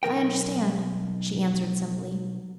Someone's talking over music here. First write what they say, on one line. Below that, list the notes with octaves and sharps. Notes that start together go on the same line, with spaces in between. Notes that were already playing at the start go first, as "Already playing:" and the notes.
"I understand," she answered simply.
B1 C3 A#4 G5